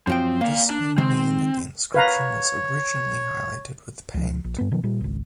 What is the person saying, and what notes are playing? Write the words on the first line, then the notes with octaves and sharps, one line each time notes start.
This may mean that the inscription was originally highlighted with paint.
F#2 F3 C4 G5
A#3 D5 F5
D4
D#3 G#3 C4
B4 C#5 F5 A#5
C#2 F3
A#1
G2 B3
B2 D#3 F3 F#3
A#2 G3
G#1 C#2